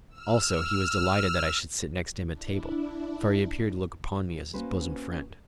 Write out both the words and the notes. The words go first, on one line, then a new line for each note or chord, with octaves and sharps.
Also, he was delighted that I should sit next him at table, for he appeared to look upon me as his bosom friend.
E6 F6
D4 E4
A#3 C#4 F#4 B4 C5